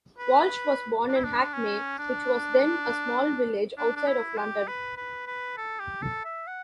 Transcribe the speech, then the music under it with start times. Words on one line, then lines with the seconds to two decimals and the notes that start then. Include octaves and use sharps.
Walsh was born in Hackney, which was then a small village outside of London.
0.18 B4
1.08 D4
1.16 E4
1.24 D4
1.53 C#4
1.98 D4
3.78 D4
3.96 D4
4.08 E4
4.37 G4
4.68 B4
4.97 B4
5.27 B4
5.58 A4
5.80 G4
6.02 A4
6.25 E5
6.47 F#5